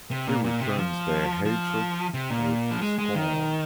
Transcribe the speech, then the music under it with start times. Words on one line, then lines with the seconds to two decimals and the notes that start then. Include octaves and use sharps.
He returns their hatred with scorn.
0.11 C3
0.27 A#2
0.44 A#2
0.61 C3
0.78 F3
1.45 F3
2.14 C3
2.30 A#2
2.71 F3
2.81 G#3
2.98 G#3
3.15 D#3